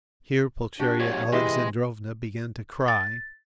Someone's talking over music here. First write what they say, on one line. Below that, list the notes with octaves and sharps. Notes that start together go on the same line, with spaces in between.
Here Pulcheria Alexandrovna began to cry.
D4 F#4 G4
F2 G#2 C#5
C3 E3 G#3 G#4 D#5 C6
A6